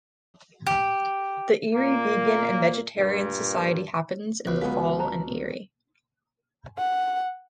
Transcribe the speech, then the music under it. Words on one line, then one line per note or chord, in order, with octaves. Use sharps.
The Erie Vegan and Vegetarian Society happens in the fall in Erie.
G4
A#2 A#3
G2 A#2
C#2 B3 F#4
D3 F#3 G#3 B3 F4 A#4 B4 F5
B4 A5 A#5
F#5